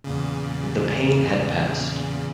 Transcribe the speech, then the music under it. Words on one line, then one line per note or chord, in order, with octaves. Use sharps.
The pain had passed.
E2 A#2 C#3